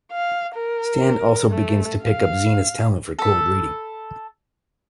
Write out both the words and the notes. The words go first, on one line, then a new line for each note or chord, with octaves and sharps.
Stan also begins to pick up Zeena's talent for cold reading.
F5
A#4
A3
F5
A4 B5